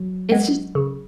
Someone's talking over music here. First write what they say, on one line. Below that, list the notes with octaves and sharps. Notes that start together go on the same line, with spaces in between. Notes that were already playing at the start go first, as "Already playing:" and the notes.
it's just
Already playing: F#3
G#3 B3
C#3